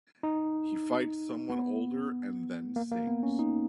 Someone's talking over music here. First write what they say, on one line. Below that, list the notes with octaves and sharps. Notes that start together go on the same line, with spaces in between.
He fights someone older and then sings.
D#4
B3
A#3
A#3
B3
C#4
D#4